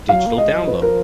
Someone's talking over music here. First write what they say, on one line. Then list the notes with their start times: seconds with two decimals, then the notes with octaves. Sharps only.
Digital download.
0.09 F#3 F5
0.26 A#3
0.38 G#3 D#5
0.53 F#3
0.67 F3 B4
0.82 A#4